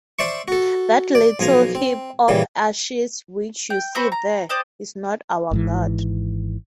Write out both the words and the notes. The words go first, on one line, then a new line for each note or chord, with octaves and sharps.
That little heap of ashes which you see there is not our god.
C5 D5 E5 C#6
F#4 A4
D5
B1 F3 G#5 A#5
C4
A#2 C#3 E3 G3
G5
C4 F#4 C5 B5
A#5
C5 D5 D#5 G5
G#1 G#2 E3